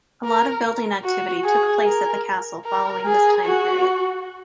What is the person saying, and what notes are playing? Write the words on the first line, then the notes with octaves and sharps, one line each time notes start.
A lot of building activity took place at the castle following this time period.
A#4
F#4
G#4
A#4
A#4
G#4
F#4